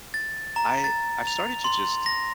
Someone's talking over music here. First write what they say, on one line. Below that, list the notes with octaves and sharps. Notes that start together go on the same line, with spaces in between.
I I've started to just
A6
A#5
A6
F7
C6
A#6